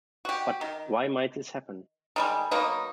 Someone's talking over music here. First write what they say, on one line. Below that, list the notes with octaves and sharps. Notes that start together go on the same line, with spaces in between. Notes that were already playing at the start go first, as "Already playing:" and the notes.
But, why might this happen?
F#4 G4
D#3
D#3 G3 G#3
F#3 A#3 B3 D#4